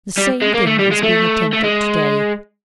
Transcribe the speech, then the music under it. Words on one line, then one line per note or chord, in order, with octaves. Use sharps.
The same thing is being attempted to-day.
G3
G#3
A#3
A3
G3
G#3
A3
A3
G#3